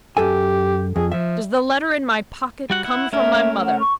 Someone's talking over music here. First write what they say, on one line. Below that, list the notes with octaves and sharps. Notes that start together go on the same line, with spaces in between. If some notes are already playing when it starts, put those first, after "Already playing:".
"Does the letter in my pocket come from my mother?"
F#2 G4 A4 G#5
F2 G#4
F3 E5
G3 F#4 F#5
E4 F#5
A3 C#4 A#4 E5
F#5
C#6